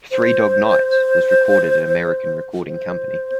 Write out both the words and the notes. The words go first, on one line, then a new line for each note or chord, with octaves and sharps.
"Three Dog Night" was recorded at American Recording Company.
C5
C5